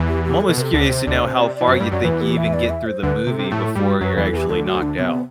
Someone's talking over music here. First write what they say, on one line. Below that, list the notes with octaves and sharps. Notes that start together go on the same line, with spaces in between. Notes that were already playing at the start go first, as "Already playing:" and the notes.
I'm almost curious to know how far you think you even get through the movie before you're actually knocked out.
Already playing: E2 E3
G4
G4
A4
B2
C3 A4 B4
D2 D3
D5
C3 C5
D2 D3 D5
C3 C5
C3 D5
D5
E3
F#2 F#3 C5
G2 G3 D5
F#2 F#3 D5
E2 E3 B4
G4
E5
D5
E5
C5
D2 D3 B4
C3 B4
A4
C3
A2 A3 E4
G2 G3 F#4 G4
F#2 F#3 B4
A4
E2 E3
A4
E2 E3 G4
D2 D3 A4
F#4
D2 D3
D4
C3 B3